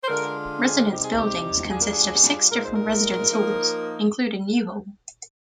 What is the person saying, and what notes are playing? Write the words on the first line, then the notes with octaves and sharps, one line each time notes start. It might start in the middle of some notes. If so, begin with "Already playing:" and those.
Residence buildings consist of six different residence halls, including New Hall.
C5
D3 G#3 D4 F4 A#4
G#4
C3 G3 C4 D#4 G4
G#4
G4
G3 D4 F4 G#4
A#4
G#4
A#2 G#3 D#4 A#4
C5
A#4
F3 A#3 D#4